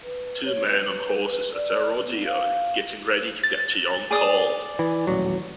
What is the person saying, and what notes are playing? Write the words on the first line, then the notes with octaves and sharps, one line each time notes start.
Two men on horses at a rodeo getting ready to catch a young calve.
B4
C#5
B4
D5
B3
F5
A6
G#4 D5 D#6
E3
D#1 A1 F#3